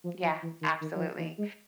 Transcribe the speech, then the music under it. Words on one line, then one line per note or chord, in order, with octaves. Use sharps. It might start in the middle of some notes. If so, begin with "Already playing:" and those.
Yeah, absolutely.
F3
F3
E3
D#3
D#3
F#3
F3
E3
G#3